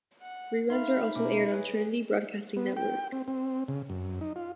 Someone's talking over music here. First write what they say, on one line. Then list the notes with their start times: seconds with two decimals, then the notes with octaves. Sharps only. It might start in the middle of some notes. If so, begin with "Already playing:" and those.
Reruns are also aired on Trinity Broadcasting Network.
0.22 F#5
0.70 D#4 E5 F5 B5 C6
1.16 B2 A#3 C#4 D6
1.52 G#4 B4 C#5
2.57 B3
2.77 G5
3.12 C4
3.28 C4
3.68 C#3
3.90 F#2
4.21 D#4
4.36 F4